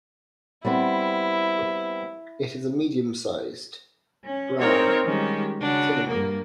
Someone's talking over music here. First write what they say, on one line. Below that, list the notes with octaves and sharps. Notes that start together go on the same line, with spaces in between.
It is a medium-sized, brown tinamou.
G3 B3 C4 E4
C#4
C4 D#4 A#4 C5 C#5
D#3 G3 G#3 C#4 G4
C#3 D4 F#4
G2 A#3